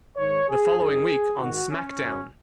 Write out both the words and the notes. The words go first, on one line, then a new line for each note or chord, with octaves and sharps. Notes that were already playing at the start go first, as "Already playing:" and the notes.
The following week, on SmackDown!
G#2 D#3 C#5
G#4
F#2 D#3 G#4
G#2 D#3 F#4
C#4
F#2 C#3